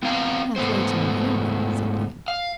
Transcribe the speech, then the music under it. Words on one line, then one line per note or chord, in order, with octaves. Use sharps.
'Half-way to Newhaven,'said Dan.
B3 C4 F5 G5 A#5
G#2 A3 B3 C5
F5